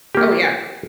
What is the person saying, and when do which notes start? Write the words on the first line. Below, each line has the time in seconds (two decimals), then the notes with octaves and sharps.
Oh yeah.
0.15 A#3 G4